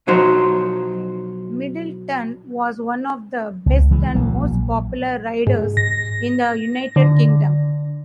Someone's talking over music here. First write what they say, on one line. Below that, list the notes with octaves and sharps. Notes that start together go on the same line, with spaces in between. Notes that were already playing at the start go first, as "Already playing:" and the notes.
Middleton was one of the best and most popular riders in the United Kingdom.
B1 F3 F#3 D#4 C5
C#2
E3 G#3
A#1 F#3 A#3
G#2
A#6
D3